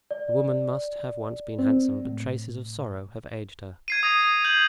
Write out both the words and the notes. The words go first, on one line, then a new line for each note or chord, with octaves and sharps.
The woman must have once been handsome, but traces of sorrow have aged her.
D5
C4
A2
G#6 C7 D#7
D#6 A#6 D#7
G6 F#7